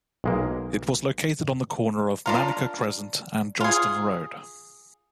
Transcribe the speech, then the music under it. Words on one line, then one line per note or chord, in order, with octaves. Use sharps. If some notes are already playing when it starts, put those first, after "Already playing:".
It was located on the corner of Manuka Crescent and Johnston Road.
B1 G#3 A#3
D4 F4 A#4
F4 G#4